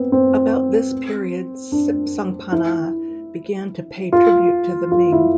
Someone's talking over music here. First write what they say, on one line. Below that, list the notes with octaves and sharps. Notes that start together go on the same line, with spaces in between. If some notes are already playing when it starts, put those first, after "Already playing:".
About this period Sipsongpanna began to pay tribute to the Ming.
Already playing: B3 C4
C4
D4
E4
F4
F4
E4